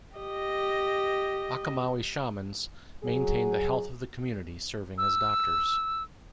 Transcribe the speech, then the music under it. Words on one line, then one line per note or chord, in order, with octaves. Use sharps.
Achomawi shamans maintained the health of the community, serving as doctors.
G4 D#5
F#3 G#4
E6